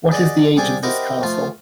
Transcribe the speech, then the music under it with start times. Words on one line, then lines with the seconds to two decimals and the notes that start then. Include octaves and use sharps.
What is the age of this castle?
0.11 G#4 D5 D#5 F#5
0.57 C2 G4 G#4 D5 G#5
0.83 C4 E4 G4 A#4 D#5 F#5
1.23 F3 A3 F4